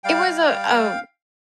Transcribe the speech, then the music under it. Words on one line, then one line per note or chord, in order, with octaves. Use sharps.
It was a a
G3 F5 G5
G3
G3
G3